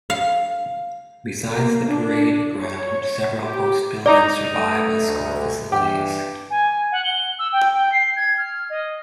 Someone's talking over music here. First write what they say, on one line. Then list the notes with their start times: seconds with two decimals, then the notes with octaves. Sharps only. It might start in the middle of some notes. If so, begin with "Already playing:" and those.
Besides the parade ground, several post buildings survive as school facilities.
0.10 F5
1.50 A#3
1.88 D4
2.59 C#5
3.44 G4
4.06 D#4 D5 A#5 D6
4.55 A3
5.08 D2
5.72 G2 E3 G4
6.50 G#5
6.92 F#5
7.04 G7
7.39 E6
7.52 G5
7.74 G5
7.92 C7
8.16 G#6
8.37 F6
8.70 D#5